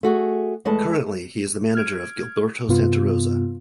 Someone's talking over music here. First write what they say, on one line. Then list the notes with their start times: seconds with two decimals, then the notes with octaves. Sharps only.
Currently, he is the manager of Gilberto Santa Rosa.
0.03 A3 F#4 G#4
0.65 E2 G#3 A3 B4 A5
1.75 F6 G#6 D7
2.68 G2 C3 B3 F4